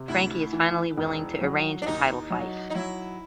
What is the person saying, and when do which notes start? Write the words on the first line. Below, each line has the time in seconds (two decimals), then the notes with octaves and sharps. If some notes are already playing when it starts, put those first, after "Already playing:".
Frankie is finally willing to arrange a title fight.
Already playing: C3
0.08 D2 E4
0.53 E3
0.98 E1
1.41 F#3
1.82 D4
1.86 D#2 D#4
2.30 F#3
2.70 D#4
2.75 F#3 E4